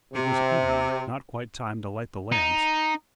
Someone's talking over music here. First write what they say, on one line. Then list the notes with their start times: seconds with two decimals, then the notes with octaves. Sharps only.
It was evening; not quite time to light the lamps.
0.14 C3
2.32 D#4